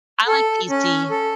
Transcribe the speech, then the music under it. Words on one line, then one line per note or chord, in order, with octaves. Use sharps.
I like PC.
A4
C#4
A4